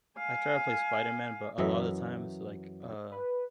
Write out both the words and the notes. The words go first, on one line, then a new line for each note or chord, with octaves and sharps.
I try to play Spider Man, but a lotta the times, like, uh,
F5 G#5
F#2 E3 F#3 D#5 E5
B4